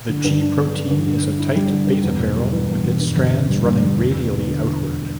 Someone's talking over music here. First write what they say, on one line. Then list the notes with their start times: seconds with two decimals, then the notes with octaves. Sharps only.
The G protein is a tight beta barrel with its strands running radially outward.
0.09 D3
0.24 G2
0.41 D4
0.58 B3
0.73 D3
0.90 G2
1.06 D3
1.22 G2
1.39 E4
1.55 G3
1.71 D3
1.87 G2
2.03 E2
2.20 E1
2.36 G3
2.53 E3
2.68 E2
2.84 E1
3.01 G2
3.17 G1
3.33 B3
3.50 G3
3.66 G2
3.82 G1
3.99 E2
4.15 E1
4.32 B3
4.47 D3